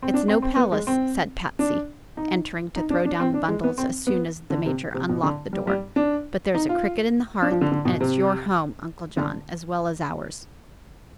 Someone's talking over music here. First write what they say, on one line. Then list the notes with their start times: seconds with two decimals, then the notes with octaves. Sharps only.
"It's no palace," said Patsy, entering to throw down the bundles as soon as the Major unlocked the door, "but there's a cricket in the hearth, and it's your home, Uncle John, as well as ours."
0.02 C4
0.14 D4
0.28 C4
0.42 C4
0.57 B3
0.72 G#3
0.87 C4
1.59 D4
2.17 D#4
2.76 D#4
2.90 D4
3.05 D4
3.20 C4
3.34 D4
3.48 G#3
3.64 B3
3.78 C4
4.07 B3
4.50 D3
4.66 C3
4.94 C3
5.09 B2
5.23 D3
5.53 G3
5.67 G3
5.96 D4
6.55 D#4
6.69 F4
7.42 D4
7.51 F3
7.61 D3
7.72 D3
7.85 B2
8.01 C3
9.17 D3